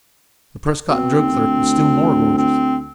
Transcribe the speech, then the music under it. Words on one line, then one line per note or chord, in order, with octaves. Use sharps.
The Prescott drug clerk was still more gorgeous.
B2 C4
D#2
D2
C4